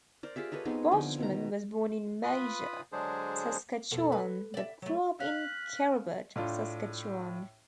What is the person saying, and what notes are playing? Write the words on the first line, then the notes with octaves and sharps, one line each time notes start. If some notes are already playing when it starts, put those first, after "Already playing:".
Boschman was born in Major, Saskatchewan, but grew up in Kerrobert, Saskatchewan.
A#4 C5 D5
F4 G4 G#4 E5
A4 B4 C#5 D#5
B3 C4 D#4 G#4
D3 F3 G5 G#5
B2 D#3 A#5
F4 B4 B5 D#6
D3 F#3 G#3 D4 G#4 C5
F2 B2 A4
B4
D5 E5
F#3 A3
F5 F#6 B6
A2 D4 F4